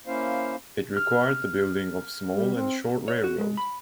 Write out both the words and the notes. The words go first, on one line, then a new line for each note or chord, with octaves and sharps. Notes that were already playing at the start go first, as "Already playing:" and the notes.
It required the building of small and short railroad.
A#3 C#4 E4 C5 F5
F6
G3
C4
C#5
F#4
G#3
B5